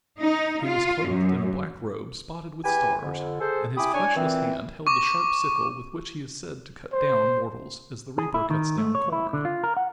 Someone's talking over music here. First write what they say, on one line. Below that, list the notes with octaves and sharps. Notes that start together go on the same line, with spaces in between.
He was clothed in a black robe spotted with stars and his fleshless hand held the sharp sickle with which he is said to cut down mortals as the reaper cuts down corn.
D#4
F4
F#2
E2 G4 B4 G#5
F2 D3
G#4 A4 C5
E4 G4 G#5 B5 D6 D#6
D4 C#5 G#5
A#2 E3 C4
C#6 D6
C5
G#4
E4
D#3
A3
C#5
E4
D3
F4
A#4
F#5